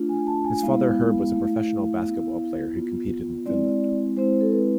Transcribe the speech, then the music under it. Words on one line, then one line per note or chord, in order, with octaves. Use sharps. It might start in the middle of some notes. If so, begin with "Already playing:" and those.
His father Herb was a professional basketball player who competed in Finland.
Already playing: A3 D4 F4
G#5
A5
G#5
G#3 B3 E4 F5
A3 E4
B3 E4
B3 F4
G#3 C4 E4 D5
G#3 C4 E4 C5
A4
B4